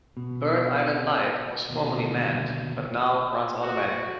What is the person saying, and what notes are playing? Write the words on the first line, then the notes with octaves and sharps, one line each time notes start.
Bird Island Light was formerly manned but now runs automatically.
B2
D#2 B2 D3
F#4